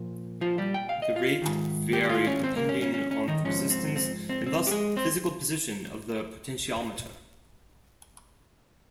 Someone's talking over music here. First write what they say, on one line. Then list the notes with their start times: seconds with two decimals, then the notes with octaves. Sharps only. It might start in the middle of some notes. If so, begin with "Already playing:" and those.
The rate varied depending on the resistance, and thus physical position, of the potentiometer.
Already playing: A#2 F3
0.41 F3 F4
0.58 G3 G4
0.74 G5
0.89 F5
1.02 D#5
1.16 F4 F5
1.42 G#2 D#3
1.93 G4 G5
2.09 F4 F5
2.27 C#4 C#5
2.43 C4 C5
2.56 A#3 A#4
2.69 C#4
2.82 C#4
2.94 C#4
3.11 C#4
3.28 D#3 D#4
3.45 G#2 F3 C#4
3.70 C4
3.96 C4
4.29 C4
4.46 C4
4.67 G4
4.71 G#3 G#4
4.97 C4 C5